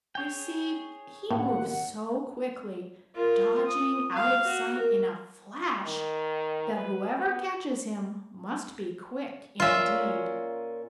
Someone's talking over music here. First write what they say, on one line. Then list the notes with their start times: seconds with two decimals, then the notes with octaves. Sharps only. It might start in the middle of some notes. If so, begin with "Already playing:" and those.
You see he moves so quickly, dodging out of sight in a flash, that whoever catches him must be quick indeed.
0.15 G#4 C#5 G5
1.31 D#2 A2 A#3 F#5
3.15 F4 A#4
3.66 D#6
4.14 F5
4.45 F#4
4.77 A#4
5.86 D#3
6.74 B4
7.17 B3
9.60 A#2 A#3 C#4 F4 E5